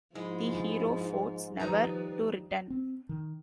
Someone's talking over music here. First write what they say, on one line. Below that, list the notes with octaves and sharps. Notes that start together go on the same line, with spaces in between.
The hero fords, never to return!
G#2 F3 G#3 E4
D#3 F3 G3 D#4 B4 A#5
C4
D#3